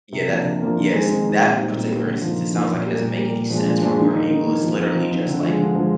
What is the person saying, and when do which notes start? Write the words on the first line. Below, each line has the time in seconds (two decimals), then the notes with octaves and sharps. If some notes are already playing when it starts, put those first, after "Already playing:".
Yeah, that Yes, that particular instance, it sounds like it doesn't make any sense from her angle. It's literally just, like,
0.13 C3
0.28 F3 A#3 D4
0.44 C3
0.60 F3 A#3 D4
0.77 D#3
0.93 G#3 C4 D#4
1.08 D#3
1.25 G#3 C4 D#4
1.41 A#2
1.57 G3 C4 D#4
1.73 A#2
1.89 G3 C4 D#4
2.05 D3
2.22 F3 A#3 D#4
2.37 D3
2.54 F3 A#3 D#4
2.70 A#2
2.86 G3 A#3
3.02 A#2
3.18 G3 A#3
3.34 A#2
3.50 F3 G#3 D4
3.66 A#2
3.82 F3 G#3 D4
3.98 D#3
4.14 A#3 D#4
4.30 D#3
4.46 A#3 D#4
4.63 F3
4.79 C4 D#4
4.95 F3
5.11 C4 D#4
5.27 D3
5.43 F3 G#3
5.58 D3
5.75 F3 G#3